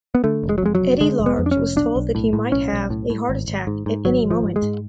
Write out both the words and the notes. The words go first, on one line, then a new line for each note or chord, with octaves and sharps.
Eddie Large was told that he might have a heart attack at any moment.
B3
D3 A3
F1
G#3
F#3
F2 G#3
F#3
F1
D3 G#3
F1
B3
F2
D4
C#4
F1
B1 D4
B1
A2
A2
B1 C#4
B1
A2
A2
G#1
G#1
G#2
G#2
G#1 F#3
G#1
F3
G#2
G#3
G#2